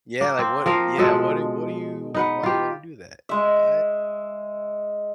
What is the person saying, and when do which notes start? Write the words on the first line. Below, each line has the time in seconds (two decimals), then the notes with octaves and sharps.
Yeah, like, what yeah, what do what do you why you wanna do that? I
0.21 A#3
0.39 C4
0.66 F3 A#4 F5
0.98 B2 F3 G#3 A4
2.14 D#4 B4 F#5
2.43 F4 G4
3.29 G#3 E5